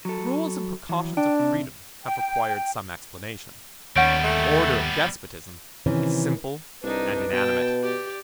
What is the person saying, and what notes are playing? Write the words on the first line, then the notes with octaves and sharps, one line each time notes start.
The rules and precautions of freedom have required some explanation; the order of despotism is simple and inanimate.
F#3 A4
E3 F#3
D4 G5
C3
G5
D#2 G3 B3 C#4 F#5 G6 D7
A3
C3 D#3 E3 C#4
C2 D4 D#4 B4
B2 G5 A5
G4 D5